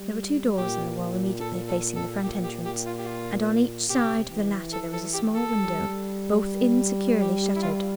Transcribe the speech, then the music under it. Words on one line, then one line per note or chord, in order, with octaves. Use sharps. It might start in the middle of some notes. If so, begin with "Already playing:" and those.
There were two doors in the wall immediately facing the front entrance, and on each side of the latter there was a small window, both insecurely shuttered.
Already playing: G3
A#2 G4
A4
A4
A4
A#2 G4
G4
G4
F4
G4
F4
C3 G4
E3
A4
A4
G4
A4
G3
G4
G4
E4
F4